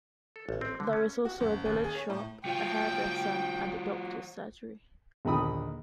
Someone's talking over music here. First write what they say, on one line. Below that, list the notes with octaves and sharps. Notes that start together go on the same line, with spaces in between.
There is also a village shop, a hairdresser and a doctors' surgery.
A4
A1
C4
D3
C#4
F#4
F#1
D#2
G#4
C#5
A2
F#3 F4 G5
A#1 D#2 D3 B5 D#6